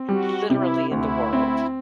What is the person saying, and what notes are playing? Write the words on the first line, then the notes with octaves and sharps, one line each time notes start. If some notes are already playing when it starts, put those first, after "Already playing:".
literally in the world.
Already playing: C4
G3 F#4
C3 E4
D2 E4
C4